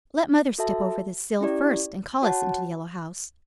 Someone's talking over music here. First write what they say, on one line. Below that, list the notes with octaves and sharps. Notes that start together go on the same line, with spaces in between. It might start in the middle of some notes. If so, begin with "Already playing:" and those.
Let mother step over the sill first and call us into the Yellow House!
F#4 A4 E5 A5
C#4 E4 G4 D5
F#4 C#5 F#5 A5